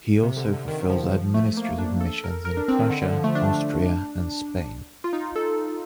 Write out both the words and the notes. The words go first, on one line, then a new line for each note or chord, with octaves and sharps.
He also fulfills administrative missions in Prussia, Austria and Spain.
C3
D3
D3
D#3
F3
F3
A3
A3
A#3
D4
A4
A#4
A#4
D4
C4
D#3
D3
D3
F3
A3
D4
F4
D#4
A4